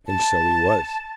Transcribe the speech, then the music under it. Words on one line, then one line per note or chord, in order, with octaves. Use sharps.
And so he was.
A5